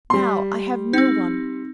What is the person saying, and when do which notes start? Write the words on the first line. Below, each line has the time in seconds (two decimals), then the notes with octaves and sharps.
Now I have no one.
0.10 G3 C6
0.93 C4 D#4